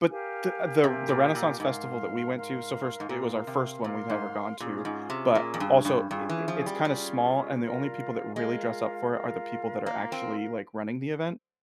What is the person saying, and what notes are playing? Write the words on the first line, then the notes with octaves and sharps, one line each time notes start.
but, the the the Renaissance Festival that we went to so, first, it was our first one we've ever gone to, but, also, i i it's kinda small, and the only people that really dress up for it are the people that are actually, like, running the event.
G4 A#4 F5 G#5
C3 G4 A#4 F5 G#5
A#2
A#2
G#2 A#4 F5 C6
A#4 F5 C6
G#2
A#2 A#4 F5 C6
C3
A#2 A#4 F5 C6
G#2
A#2 C#4 F4 G#4
G#2
C3
A#2 C#4 F4 G#4
F2
G2
G2
G2 C#4 F4 G#4
E3
F3
G3
G3 C#4 F4 G#4
F4 A#4 F5
G#3 F4 A#4 F5
F4 A#4 F5
A#3 F4 A#4 F5
C4